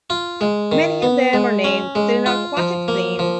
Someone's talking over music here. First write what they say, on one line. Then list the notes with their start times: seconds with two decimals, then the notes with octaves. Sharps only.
Many of them are named with an aquatic theme.
0.10 F4
0.41 G#3
0.72 D#3
1.02 B3
1.33 G#3
1.64 C#4
1.95 G#3
2.26 F4
2.57 F3
2.88 A#3
3.19 F3